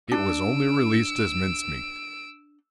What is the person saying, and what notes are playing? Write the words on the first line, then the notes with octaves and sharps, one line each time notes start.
It was only released as mince-meat.
D4 E6 D7